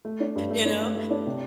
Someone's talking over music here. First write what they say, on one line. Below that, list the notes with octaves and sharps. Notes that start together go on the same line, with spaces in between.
you know,
A3
D4
G2
A3
D4
A3
A3
D4
C3